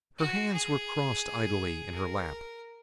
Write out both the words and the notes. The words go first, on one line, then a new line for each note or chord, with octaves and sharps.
Her hands were crossed idly in her lap.
F#4
G#4
A#4